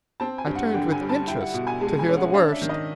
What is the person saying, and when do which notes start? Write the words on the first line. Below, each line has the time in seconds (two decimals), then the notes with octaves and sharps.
I turned with interest to hear the worst.
0.20 C4 A5
0.38 G#5
0.47 G2
0.55 F#5
0.68 F#5
0.74 D3 G5
0.92 G#5
1.01 G3
1.09 A5
1.28 E4 G5
1.41 F#5
1.53 B2 F#5
1.67 G#5
1.81 G#3 A5
1.99 G#5
2.08 C#4
2.17 F#5
2.34 D4 F5
2.52 E5
2.62 D#3
2.69 D#5